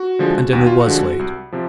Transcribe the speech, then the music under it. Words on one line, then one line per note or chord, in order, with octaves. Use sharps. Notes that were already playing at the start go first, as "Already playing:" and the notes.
And dinner was late.
Already playing: F#4
D3 F3 G#3
D#2 F#4
F4
F#4
D3 F3 G#3
C2
C3 F3